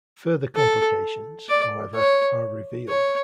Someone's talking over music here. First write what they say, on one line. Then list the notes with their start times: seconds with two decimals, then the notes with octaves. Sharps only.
Further complications, however, are revealed.
0.56 A4
1.49 D5
1.96 C#5
2.89 C#5